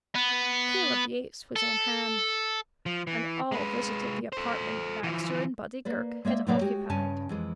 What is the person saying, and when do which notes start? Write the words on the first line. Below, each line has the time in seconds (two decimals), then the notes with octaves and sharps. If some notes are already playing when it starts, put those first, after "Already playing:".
Caleb Yates was on hand, and all visited the apartment Baxter and Buddy Girk had occupied.
0.15 B3
1.56 A4
2.86 F3
3.07 E3
3.52 G#3 B4
4.32 A4 C5
5.03 E3 F3
5.85 A#3 B4 D5
6.25 G#3 A#3 D5 E5
6.47 A2 C3 F#3 A#3 D5 E5
6.61 G#3 F#4 G4
6.89 G2 C#3 C#4 G#5 A5
7.29 F2 E3 G#3